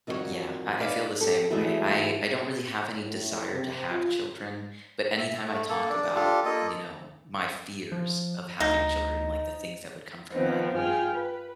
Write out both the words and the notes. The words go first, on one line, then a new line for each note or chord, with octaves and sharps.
Yeah, I I feel the same way, I I don't really have any desire to have children, but anytime I talk about, you know, my fears of having children, like, the things that would come from that, and
F2 D#3 G3 F4 F#4 C#5
D#4 B4 D5 F5
G4 A4
E3 G#3 A3 B3 F#4
A2
C3
F4
E5
A3
A#3 A4
D4 D5
D4 F4 G4 A4
A#3 F4 A4 D#5
F3
D2 D#4
D#3 F3 B3 C4 D#4
G2 F4 G#4 G5 F6
B4